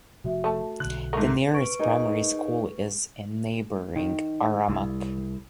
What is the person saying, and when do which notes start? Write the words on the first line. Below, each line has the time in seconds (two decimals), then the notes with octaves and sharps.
The nearest primary school is in neighbouring Aramac.
0.24 F1 C3 F3 F#4 E5
0.44 A3 A5
0.80 B1 B2 D3 F#6
1.13 G#2 A3 A#4 A#5
1.54 B4 C#6 D7
1.79 D#4 G#4 A#4
3.96 D#3
4.68 C2